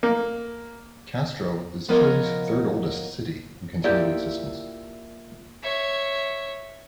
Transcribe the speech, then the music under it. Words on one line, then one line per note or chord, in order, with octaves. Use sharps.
Castro is Chile's third oldest city in continued existence.
A#3
F3 B3 F4 A#4 C#5 D#5
A#3 E4 F4 G4 D5 E5
C#5 E5